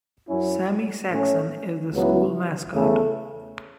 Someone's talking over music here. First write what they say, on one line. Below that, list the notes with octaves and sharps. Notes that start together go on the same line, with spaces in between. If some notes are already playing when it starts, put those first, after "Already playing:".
Sammy Saxon is the school mascot.
F#2 F#3 C#4 E4
A2 A3 C#4 A4
C#2 C#3 F#3 B3 E4
E2 C#3 A3